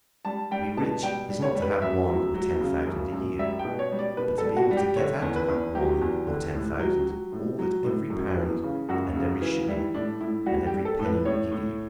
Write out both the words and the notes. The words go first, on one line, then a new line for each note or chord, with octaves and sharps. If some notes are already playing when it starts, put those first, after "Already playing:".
To be rich is not to have one or ten thousand a year, but to be able to get out of that one or ten thousand all that every pound, and every shilling, and every penny will give you.
G3 A5
G3 G5
B2 A5
G3 G5
G3
C#5
G3
B4
F#2 E5
F#3
F#3
C#3
F#2
F#2
G3 E5
G5
B2
C#5
G3
D5
B2 B4
A4
G3
F#4
G3
G4
D3 C#5
E2
B4
E2
F#3 G4
E2
D3
A2
F#3
F#3
A2
F#3
A2
F#2
E3
C#3
F#2 F#4
C#3
E3
G3 E4
A2 D4
A2 E4
G3 F#4
G4
G3
A4
A2
B4
A2 C#5
A2